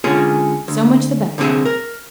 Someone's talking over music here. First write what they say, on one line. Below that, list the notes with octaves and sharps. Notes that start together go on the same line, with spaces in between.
"So much the better."
D3 G#3 C#4 F4 G#4
D2
C2 D3 C4 C#4 G#4 E5
A#4